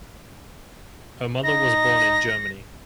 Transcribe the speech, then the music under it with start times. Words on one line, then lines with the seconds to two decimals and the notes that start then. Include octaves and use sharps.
Her mother was born in Germany.
1.44 D#4 A#6